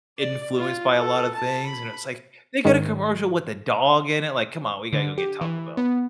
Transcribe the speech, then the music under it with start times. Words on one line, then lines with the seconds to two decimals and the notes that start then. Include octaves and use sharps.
influenced by a lot of things, and it's like, they get a commercial with a dog in it. Like, "Come on, we gotta go get Taco Bell."
0.18 D5
0.57 F4
0.98 A4
1.34 A5
1.66 B5
2.65 G#2 D#3
4.93 D3
5.18 G4
5.41 E3
5.77 B3